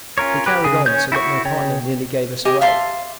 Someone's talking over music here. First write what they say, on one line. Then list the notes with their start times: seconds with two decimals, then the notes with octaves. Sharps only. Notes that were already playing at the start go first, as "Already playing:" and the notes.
He carried on so that my partner nearly gave us away.
0.18 C#4 F4 A#4 C#5
0.46 G4 B4
0.64 C#3 G#4
0.86 C#4 C#5 G6
1.12 E4 F#4 G5 C#6
1.45 C#3 C#5 G5
2.45 G4 D#5 G#5
2.61 E5 F5 A5 C6